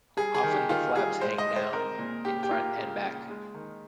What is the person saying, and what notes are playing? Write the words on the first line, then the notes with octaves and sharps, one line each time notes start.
Often, the flaps hang down in front and back.
G3 G#4
G#4
D#3
G4
D#3 F4
G3 G#4
G#3 C5
D#5
G#3
C5
C4 A#4
A#2
C#3 G4
G4
A#3 F4
C#3
C#3
G#3
D#3